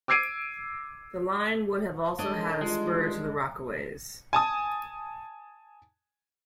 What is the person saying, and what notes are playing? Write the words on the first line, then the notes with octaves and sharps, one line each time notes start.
The line would have also had a spur to the Rockaways.
D6 E6 G#6 C7 D7 D#7
D#3 G#3 D4 A4 A#4 C#5 D#5
D#3 E3 G3 G#3 F4
G#5 A5 D#6